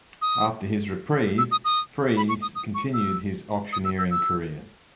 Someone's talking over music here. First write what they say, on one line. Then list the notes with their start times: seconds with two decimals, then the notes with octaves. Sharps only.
After his reprieve, Fries continued his auctioneering career.
0.22 D#6
1.38 E6
1.51 D#6
1.65 D#6
2.17 B5
2.29 C#6
2.42 D#6
2.56 D#6
2.75 C#6
2.94 E6
3.73 D#6
3.85 E6
3.99 E6
4.11 E6